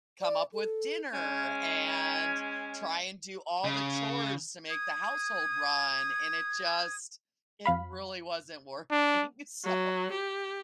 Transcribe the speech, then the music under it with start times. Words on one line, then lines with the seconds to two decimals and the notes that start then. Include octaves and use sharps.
come up with dinner and try and do all the chores to make the household run, and it just it really wasn't working, so,
0.21 D5
0.54 A4
1.12 G#3 C#4
3.65 C#3
4.70 D#6 G#6
7.66 F2 F5 B5
8.91 D4
9.64 F#3
10.10 G4